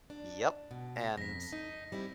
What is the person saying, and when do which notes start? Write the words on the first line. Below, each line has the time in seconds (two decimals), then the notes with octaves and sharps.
Yep, and
0.10 D4
0.71 B2
1.17 F2 A#6 B6
1.53 D#4
1.92 G3 C4 E4